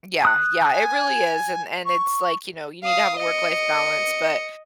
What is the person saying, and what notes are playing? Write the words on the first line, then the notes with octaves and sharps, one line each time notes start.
Yeah, yeah, it really is, and and it's, like, you know, you need to have a work-life balance, but
D#6 F#6
G#5
C#6
F5 D#6
D#5 C#7